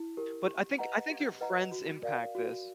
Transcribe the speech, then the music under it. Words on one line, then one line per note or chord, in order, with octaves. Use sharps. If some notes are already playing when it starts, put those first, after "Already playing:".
But, I think I think your friends impact this.
Already playing: E4
G4 A#4
G4
B4 D#5 F#5 A#5
G4
B4 D#5 F#5 A#5
F#4
A#4 D5 F5
F#4